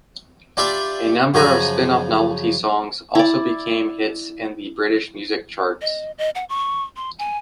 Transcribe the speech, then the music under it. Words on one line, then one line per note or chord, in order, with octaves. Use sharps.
A number of spin-off novelty songs also became hits in the British music charts.
D4 F4 G4 D5 E5 B5
F#2 C#3 F3 G#5 A#5 B5
E4 D5
D#5
D#5
F#5
C#6
C6
G#5